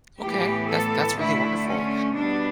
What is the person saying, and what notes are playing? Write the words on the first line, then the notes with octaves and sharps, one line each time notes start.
Okay. That's that's really wonderful,
A2 E3 B3 G4
A4
D3 A3 E4
C#4
B2 G3 B3 D4